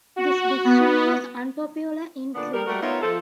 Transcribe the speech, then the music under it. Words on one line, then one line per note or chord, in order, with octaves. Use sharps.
This decision was unpopular in Quebec.
F#4
B3
A#2 D3 B3 D4
G3 A#4
G3 A3 F#4 A#4
B3 D#4 F4 A#4 C#5 E5
F3 A4